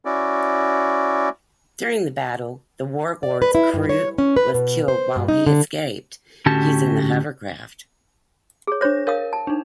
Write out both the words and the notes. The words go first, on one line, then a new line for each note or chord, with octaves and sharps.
During the battle, The Warlord's crew was killed while he escaped using the hovercraft.
C#4 E4 F#4 D5
D5
B4
E4
G2
C#5
C#4
B4
B2
C5
G2
D#4
D3
A2 D3 C#4 F#4 G4 A5
G#4 C#5
D4 C5 C#5 A#6
A#4 C#5 F5 D#6
A5
D4 D#4